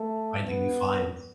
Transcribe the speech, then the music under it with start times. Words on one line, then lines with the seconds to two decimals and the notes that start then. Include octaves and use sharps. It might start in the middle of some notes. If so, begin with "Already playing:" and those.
finding new finds.
Already playing: A3
0.46 B3